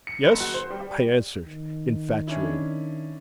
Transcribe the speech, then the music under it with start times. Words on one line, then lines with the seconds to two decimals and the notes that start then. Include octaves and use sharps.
"Yes," I answered, infatuated.
0.07 C#7
0.25 F#1
0.40 F#4
0.54 C5
0.70 G3
1.46 D#3
2.27 C#4 D4 E4